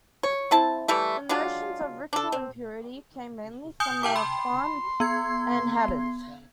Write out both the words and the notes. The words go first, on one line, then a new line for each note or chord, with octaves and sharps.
The notions of ritual impurity come mainly from the Qur'an and hadith.
C#5
C4 E4 A5
E3 G3 A3 E4
F#3 G#3 D4 F4
D4 A4
C4
G#5 D#6 G6
E4 G4 A#4 G5 A5 D6
B5 C6
B3 G#6